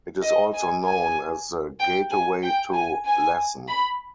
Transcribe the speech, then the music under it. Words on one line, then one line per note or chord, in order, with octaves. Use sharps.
It is also known as "The Gateway to Lassen".
D#5
G#5
G#5
G5
G#5
G5
G#5
G#5
B5